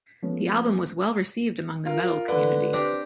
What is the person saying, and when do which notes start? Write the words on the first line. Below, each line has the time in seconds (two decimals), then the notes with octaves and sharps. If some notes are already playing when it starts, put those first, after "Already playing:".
The album was well received among the metal community.
0.23 F3 G#3 A3 B3 C#4
1.86 F4 A#4
2.28 D3 B4
2.73 C4 D4 G4